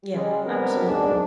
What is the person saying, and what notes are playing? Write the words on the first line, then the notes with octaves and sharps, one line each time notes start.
Yeah. Absolutely.
C#3 G3 G#3
B3 C4 D4 A#4
G#2 D4